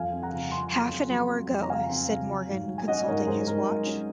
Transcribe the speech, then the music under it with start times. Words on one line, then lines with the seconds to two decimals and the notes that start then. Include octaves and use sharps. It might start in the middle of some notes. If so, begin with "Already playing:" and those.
"Half an hour ago," said Morgan, consulting his watch.
Already playing: F2 F5 G#5
0.13 C4
0.23 F#5 A#5
0.33 C#3
0.52 C4 G#5 C6
0.72 F#3
0.91 C4
1.11 F#3
1.31 C4
1.50 F2
1.63 A#5
1.70 C#3 F5 G#5
1.89 C4
2.09 C#3
2.29 F#3
2.48 G#2
2.68 F#3
2.78 G#5
2.88 C#4 D#5 F#5
3.08 G#2 A#4 C#5
3.27 G#2 G#4 C5
3.47 G#2 A#4
3.67 F#3
3.87 C#4